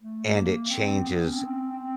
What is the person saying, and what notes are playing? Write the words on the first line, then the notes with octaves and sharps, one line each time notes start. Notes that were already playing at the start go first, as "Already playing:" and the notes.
and it changes
A3
A#3
C4
B3
C#4
C4
C4